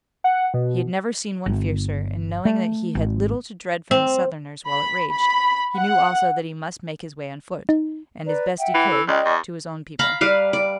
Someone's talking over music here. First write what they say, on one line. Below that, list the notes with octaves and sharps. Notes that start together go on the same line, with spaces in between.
He had never seen one fiercer, and knowing that he had little to dread from the Southerners while it raged he knew also that he must make his way on foot, and as best he could, to his own people.
F#5
B2
G1
A3
G#1
C4
B5
B5
F#5
D#4
B4 D5 A#5
E5 F#5 G5
E3
A4 E6
C#2 D5 D#5 G5
E2
F5 A#5 B5
G3 B4 F5
D5